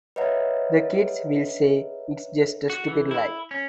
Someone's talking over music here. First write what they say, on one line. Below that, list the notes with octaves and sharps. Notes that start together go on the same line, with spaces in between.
The kids will say it's just a stupid lie.
B4 C#5 D#5 E5 F#5 A#5
F#4
E3
E4
C#4